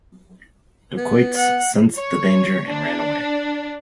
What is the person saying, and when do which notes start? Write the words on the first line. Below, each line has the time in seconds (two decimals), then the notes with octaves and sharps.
Dacoits sensed the danger and ran away.
0.97 B3
1.36 F#5
1.96 C#5
2.68 D4